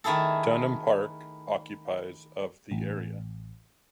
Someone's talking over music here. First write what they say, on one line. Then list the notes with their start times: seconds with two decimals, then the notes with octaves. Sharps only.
Dunham Park occupies of the area.
0.04 D#3 A3 E4 G#4 A4
2.71 A1